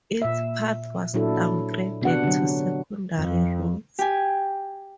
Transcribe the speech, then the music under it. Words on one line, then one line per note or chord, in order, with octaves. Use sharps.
Its path was downgraded to secondary roads.
A#2 E5
A#2 F#3 D4 E4 A4
C3 B3 D4 F#4 F#5
D3 F#3
F2
G4 G#5